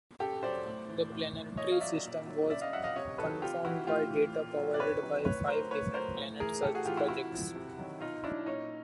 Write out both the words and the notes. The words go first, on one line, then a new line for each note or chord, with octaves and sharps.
The planetary system was confirmed by data provided by five different planet search projects.
C#3 G4 A4
F#3 C5 D5
A2
E3
A2
E3
B2 C#5 D#5
F5
F#3 D5 E5
A#2
F#3
C#3 D5 E5
D#5 F5
F#3 E5 F#5
D#5 F5
C3 C#5 D#5
D#3 F#3 A4 B4
C3 F4 G4
E3 E4 F#4
A2 F4 G4
E3
A#2
F#3
D5
C3 B4 C#5
D#3 F#3
A2 B4 C#5
F#3 A#4 C5
A2 B4 C#5
F#3 A#4 C5
A2
E3 G#4 A#4
A2 G4 A4
F#4 G#4
E3 F4 G4
E4 F#4
C3 E4 F#4
F3
C3
D#3 F#3
B2 D#4 F4
F#3 D4 E4
A#2 C#4 D#4